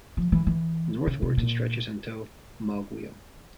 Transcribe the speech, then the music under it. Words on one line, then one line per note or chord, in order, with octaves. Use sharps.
Northwards, it stretches until Mauguio.
F3
E3
E3
C#3
C3
A#2